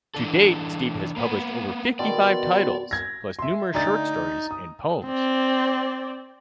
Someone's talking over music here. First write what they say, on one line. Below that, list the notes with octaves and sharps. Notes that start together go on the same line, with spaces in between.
To date Steve has published over fifty-five titles plus numerous short stories and poems.
E3 D4 A4
A#3 B3 B5
B2 D#3 C5 D5
G#6 A#6
E5 C6
D2 D#4 D5 A6
D#6
C4 D5